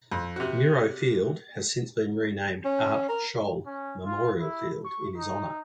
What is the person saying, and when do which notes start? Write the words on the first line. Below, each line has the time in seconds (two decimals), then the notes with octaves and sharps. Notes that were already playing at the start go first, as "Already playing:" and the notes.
Miro Field has since been renamed Art Scholl Memorial Field in his honor.
0.12 F2
0.36 C3 F#4
2.65 C#4
3.09 A#4
3.66 C#4
4.05 F4
4.39 E4
4.85 C#6
5.18 D#4